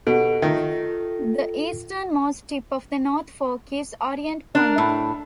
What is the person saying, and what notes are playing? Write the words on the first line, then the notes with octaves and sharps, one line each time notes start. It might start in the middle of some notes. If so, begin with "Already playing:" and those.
The easternmost tip of the North Fork is Orient Point.
B2 G4 A4 F#5 D7
D#3 A3 F4
D4 A#4
A2